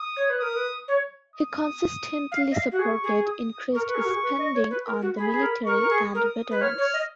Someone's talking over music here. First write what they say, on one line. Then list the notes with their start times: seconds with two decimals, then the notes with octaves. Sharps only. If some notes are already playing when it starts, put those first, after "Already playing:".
He consistently supported increased spending on the military and veterans.
Already playing: D#6
0.16 C#5
0.30 B4
0.40 A#4 D#6
0.55 B4
0.88 C#5
1.36 D#6
2.32 F5
2.51 D#5
2.55 F5
2.72 F#4
2.78 G#4 C#6
3.03 G#4
3.27 D#6
3.74 A#4 C#6
3.87 B4
3.95 G#4
3.98 A#4
4.05 F#4
4.10 G#4
4.22 B4
4.38 D#5
4.54 C#5
4.70 B4
4.86 A#4
5.02 F#4
5.18 G#4 B5
5.31 G#4
5.42 A#4
5.66 A#4 C#6
5.80 A#4
5.90 G#4
6.13 A#4 D#6
6.51 B4
6.61 C#5 F6
6.78 C#5
6.93 D#5